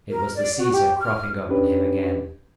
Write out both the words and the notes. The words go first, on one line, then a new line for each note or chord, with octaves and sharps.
It was the Caesar cropping up in him again.
A#4
D5
F#4
G4
F6
C#4 D4 G4 B4